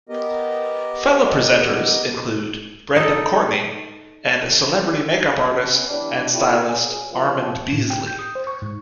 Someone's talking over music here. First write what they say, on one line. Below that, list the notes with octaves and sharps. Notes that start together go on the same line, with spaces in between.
Fellow presenters include Brendan Courtney and celebrity makeup artist and stylist Armand Beasley.
B3 G4 A#4 D#5
D#4 A4
B1
F#3 B3 C#4
E2 G3 D4
A3 D4 E4 F4 G4
B2 C#4 G#4
F#2 A2 D#3 F3
A2
G5
G6
D#6
C5
C#6
G#2